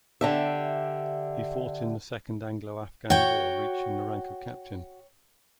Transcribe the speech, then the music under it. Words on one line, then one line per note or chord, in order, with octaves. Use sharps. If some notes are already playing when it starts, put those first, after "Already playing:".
He fought in the Second Anglo-Afghan War, reaching the rank of captain.
D3 G4 E5
F#4 C#5 G5